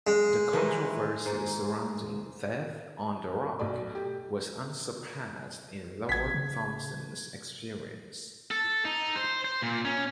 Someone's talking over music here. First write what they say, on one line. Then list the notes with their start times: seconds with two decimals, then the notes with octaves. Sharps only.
The controversy surrounding "Death on the Rock" was "unsurpassed" in Lord Thomson's experience.
0.07 G#3
0.53 D#3 E3 G3
1.26 G#2
3.59 B1 A3 D5
3.95 G4
6.09 A1 G#6 B6
6.34 C#3
8.51 A4
8.85 D#4
9.16 C5
9.45 C5
9.62 A#2
9.85 C#4